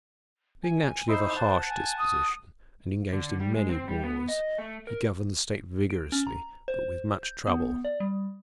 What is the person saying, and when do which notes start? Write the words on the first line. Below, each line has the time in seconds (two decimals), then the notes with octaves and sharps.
Being naturally of a harsh disposition, and engaged in many wars, he governed the state vigorously, but with much trouble.
0.63 G#5
1.08 D#4 E4 C5 C6
1.36 F#5 A5
1.68 G#5
1.99 D#6
3.13 D3
3.40 G3
3.55 G#3
3.69 C4
3.88 G3
4.04 B3
4.29 D#5
4.58 A3
4.87 A#4
5.90 D7
6.12 C#4
6.27 A#5
6.68 C5
7.23 G6
7.47 B3
7.84 D5
8.00 G3